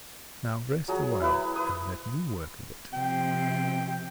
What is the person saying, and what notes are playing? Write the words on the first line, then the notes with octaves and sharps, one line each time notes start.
"Now rest awhile-and let me work a bit."
F#3 G#4 A#5
E4 B4
B4 D#6
C3 F3 G5